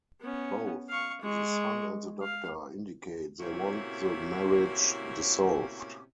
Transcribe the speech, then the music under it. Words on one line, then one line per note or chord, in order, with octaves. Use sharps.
Both the son and the doctor indicate they want the marriage dissolved.
B3 C#4
F5 C#6
G#3 C#6
F5
A2 C3 A#3 C#4 E4 F#4